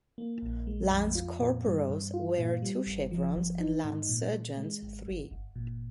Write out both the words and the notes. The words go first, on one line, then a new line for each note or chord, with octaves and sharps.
Lance Corporals wear two chevrons and Lance Sergeants three.
A#3
A#1
G#3
F2
F4
A#2
G2
G2
F4
A#2
G3
G1
F3
G1
D#4
G#2
A#2
A#2
G#3
G#1
G1
G1
A#2